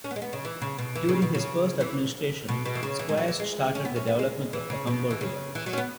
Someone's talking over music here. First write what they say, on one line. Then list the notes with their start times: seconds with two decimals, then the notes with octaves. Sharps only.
During his first administration, Squires started the development of the Humber River.
0.04 C#4
0.11 B3
0.16 G#3
0.22 B3
0.33 C#3
0.45 E3
0.62 C#3
0.78 B2
0.95 E3
1.09 C#3
1.22 B2
1.35 C#3
1.81 E3
2.48 B2
2.65 B2
2.75 E3
2.83 C#3
2.99 E3
3.09 G#3
3.17 F#3
3.28 E3
3.39 G#3
3.75 C#4
3.85 B3
3.96 C#4
4.07 B3
4.19 G#3
4.53 E3
4.70 C#3
4.87 B2
5.10 E3
5.21 C#3
5.55 E3
5.66 F#3
5.73 C#4
5.78 B3